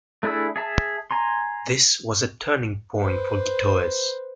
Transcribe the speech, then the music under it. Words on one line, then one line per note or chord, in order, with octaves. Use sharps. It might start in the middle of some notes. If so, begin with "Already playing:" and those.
This was a turning point for Gittoes.
A3 D4 E4 G#4 E6
G#4 E5 A5
G#5 A#5 C6
B4 C5